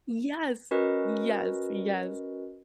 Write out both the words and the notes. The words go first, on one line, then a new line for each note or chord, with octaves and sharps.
Yes, yes, yes.
C#4 F#4 A#4 B4 D#5